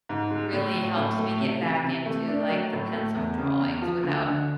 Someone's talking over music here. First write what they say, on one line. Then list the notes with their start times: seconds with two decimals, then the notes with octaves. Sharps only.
really helps me get back into, like, the pencil drawings without
0.09 G#2
0.31 G#3
0.53 A2
0.75 F#3
0.97 A2
1.18 A3
1.40 C3
1.62 E3
1.84 C3
2.06 A3
2.27 D4
2.49 F#3
2.72 A2
2.93 A3
3.15 E2
3.38 C#3
3.60 E2
3.82 F3
4.03 D2
4.25 D3